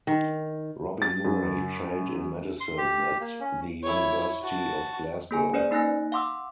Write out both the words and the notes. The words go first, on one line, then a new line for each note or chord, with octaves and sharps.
Robin Murray trained in medicine at the University of Glasgow.
D#3
A6
F#2
C6
G4
A#3
C#4
E4 C#5
F#4 A5
A#3 G#4 G#5
C#4 B4 C5 D5
A#3 D#4 G#5 F#6 A#6
F5 F#5 C6 D6 E6